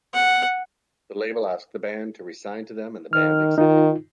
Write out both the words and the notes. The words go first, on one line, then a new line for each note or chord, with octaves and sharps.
The label asked the band to re-sign to them and the band accepted.
F#5
D#3 F6
D#3 D#4 F4